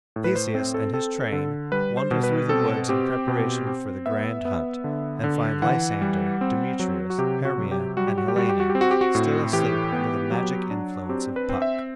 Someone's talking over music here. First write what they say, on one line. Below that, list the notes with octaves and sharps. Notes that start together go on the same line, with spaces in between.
Theseus and his train wander through the woods in preparation for the grand hunt and find Lysander, Demetrius, Hermia and Helena still asleep under the magic influence of Puck.
A2
B4
C5
C4 C5
A4
C4 A4
D3
G3 B4
C5
B2
B4
C4 A4
C4 G4
B2
C4
B3 E5
B3
D3
D3
E3 F#5
G3
C4
F#3
F#4
C3 G4
F#4
F#3
G4
G3 F#4
G4
F#4
G4
G3 F#4
G4
F#4
G4
C4
F#4
G4
F#4
A2
E3 G4
B3
F#3
D4
C4 G4
B4
C4
E5